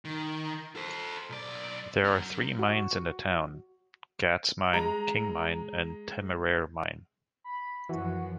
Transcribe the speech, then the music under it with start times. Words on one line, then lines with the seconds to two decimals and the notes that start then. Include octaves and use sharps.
There are three mines in the town: Gath's Mine, King Mine and Temeraire Mine.
0.05 D#3
0.76 A4 C5
1.30 B1 D5
2.04 F#3 C#4
2.59 F#4
4.73 G#3 A#5
7.44 B5
7.89 F#2 E3 F3 F#4